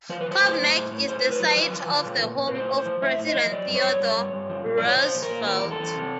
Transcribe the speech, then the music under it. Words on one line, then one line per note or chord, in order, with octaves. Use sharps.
Cove Neck is the site of the home of President Theodore Roosevelt.
F3 C5
B4
F3 C5
A2
A2
A2
A2
A2 C5
C5
A2
B4
F#3
B4
F3
F3
F3
A#2
A#2
A#2
B4
A2 C5
A2
C5
F3
A2 E5
A2
D#5
F3
F#3 D5
G2
C#5
G2
G2
G2
G2
F3
A#2
F3 D5
C#5
F3 C5
A#2
A#4
A#2
E2 A#4
E2
A4
E2
C3